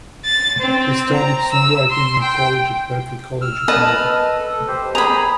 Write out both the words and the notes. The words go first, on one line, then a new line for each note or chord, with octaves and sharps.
They studied songwriting in college at Berklee College of Music.
A6
C4
A#5
E6
C6
G5
E6 F6
B4 D#5 A5
A4
G4 C5
G#4 G#5 A#5 B5